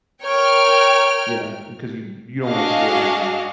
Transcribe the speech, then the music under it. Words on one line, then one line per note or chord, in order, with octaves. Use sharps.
Yeah, because you you don't wanna slip and
A#4 C#5 G5 F6
D4 F#4 G#4 D#5 F5